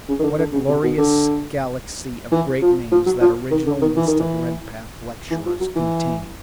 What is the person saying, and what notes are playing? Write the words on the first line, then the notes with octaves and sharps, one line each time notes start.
What a glorious galaxy of great names that original list of Redpath lecturers contained!
C#3
D#3
D3
D3
C#3
C3
B2
D3
E3
F3
F3
F#3
F3
D#3
D3
D#3
E3
D#3
E3
E3
F3
F#3
E3